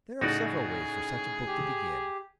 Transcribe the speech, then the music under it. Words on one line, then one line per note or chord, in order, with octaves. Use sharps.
There are several ways for such a book to begin.
A2 C#3 D#4 F#4 G#4 D5
G4